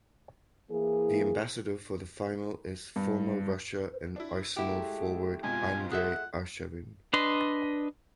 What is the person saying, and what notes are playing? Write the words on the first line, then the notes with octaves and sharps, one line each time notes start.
The ambassador for the final is former Russia and Arsenal forward Andrey Arshavin.
E3 A#3 E4 G#4
G2
D4 E4
G#3 A3 E4 F#4 G4
F2 G#2 B2 F4 G#5
G#4 A4 E5 F#5
D4 B4 D#5 C6